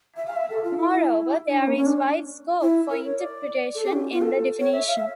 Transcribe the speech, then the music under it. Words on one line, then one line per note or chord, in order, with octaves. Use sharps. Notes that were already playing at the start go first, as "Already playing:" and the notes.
Moreover, there is wide scope for interpretation in the definition.
E5
F5
E5
A4
F4
E4
E4
D4
C#4
A#3
C#4
D4
E4
A#4
C#5
D5
A4
G4
C#4
F4
A4
C#5
E5
F5
E5